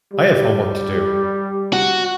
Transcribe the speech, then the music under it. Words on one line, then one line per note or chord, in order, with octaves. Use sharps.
I have homework to do.
G3
F#4